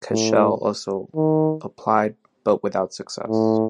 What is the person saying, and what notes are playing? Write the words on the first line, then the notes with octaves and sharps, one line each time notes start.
Cashel also applied, but without success.
A2
D#3
A2